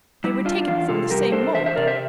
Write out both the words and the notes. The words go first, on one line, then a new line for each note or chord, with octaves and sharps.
"They were taken from the same mould."
G3 E4
D4 F4
E2 F4
C3 F4 A4
G3 G4 A#4
D4 A4 C5
E2 C5 E5
C5 E5
C3 A#4 D5
C5 E5